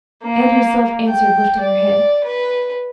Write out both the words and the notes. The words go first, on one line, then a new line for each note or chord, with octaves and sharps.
Anne herself answered, lifting her head.
A#3
G5
D5
B4